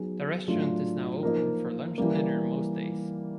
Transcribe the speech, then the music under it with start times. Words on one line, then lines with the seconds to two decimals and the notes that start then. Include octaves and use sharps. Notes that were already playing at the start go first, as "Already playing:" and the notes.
The restaurant is now open for lunch and dinner most days.
Already playing: F#3 B3 D#4 G#4
0.48 A2 F#3 A3 D4 F4
1.23 F3 A#3 D#4 A#4
1.98 E3 G3 A#3